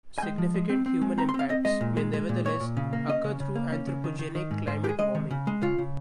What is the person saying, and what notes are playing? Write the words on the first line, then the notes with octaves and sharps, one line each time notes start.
Significant human impacts may nevertheless occur through anthropogenic climate warming.
G#5
G#3 G5
F3
G#3
C4
C4
G#3
C4 A#5
C6
C4
F5
C4 D#5
G#3 D#5
A#2
G#3
G#3
A#2
A#2 C#5
A#2
C#3
A#3
C#4 D#5
C#3
C#3
A#3
C#4
C#3
D#3
D#3
D#3
G#2
G#2 C5
G#3 G4
G#4
G#3 D#5
D#3
C#3
G#3
C#3 F4
C#3